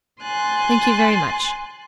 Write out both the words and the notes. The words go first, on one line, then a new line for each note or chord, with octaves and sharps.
'Thank you very much.'
G#5 C6 F#6 A6